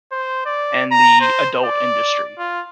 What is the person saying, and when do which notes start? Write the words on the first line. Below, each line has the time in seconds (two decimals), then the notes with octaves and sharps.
and the adult industry,
0.12 C5
0.46 D5
0.91 A#5
1.21 C5
1.65 D5
2.38 F4